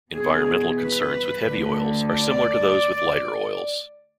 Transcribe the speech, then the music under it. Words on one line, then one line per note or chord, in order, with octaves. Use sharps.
Environmental concerns with heavy oils are similar to those with lighter oils.
E2 B2 G#4
B4
D2 D3
D5